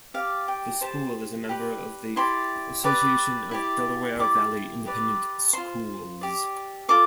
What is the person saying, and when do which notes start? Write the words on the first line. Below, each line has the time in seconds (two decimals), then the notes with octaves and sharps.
The school is a member of the Association of Delaware Valley Independent Schools.
0.14 G4 D5 F5
0.48 G5
0.81 G4 C5 A5
1.49 G4 B4 D5
2.16 E4 G4 D5 C6
2.84 G4 B4 D5
3.51 E4 G4 D5
4.19 E4 G4 D5 D6
4.86 G4 B4 D5
5.53 F4 C5 C6
6.21 G4 D5
6.89 F4 A4 D5 D6